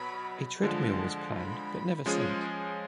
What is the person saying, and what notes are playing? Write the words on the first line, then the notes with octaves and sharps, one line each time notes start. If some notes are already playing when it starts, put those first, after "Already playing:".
A treadmill was planned, but never sent.
Already playing: B2 F#3 B5
D3 F3 G#3 A5
B5
F3 G#3 C#4 G#4